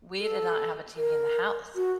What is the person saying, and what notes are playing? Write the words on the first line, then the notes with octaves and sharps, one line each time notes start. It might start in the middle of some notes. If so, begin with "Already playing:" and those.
we did not have a TV in the house.
A4
A#4
F#4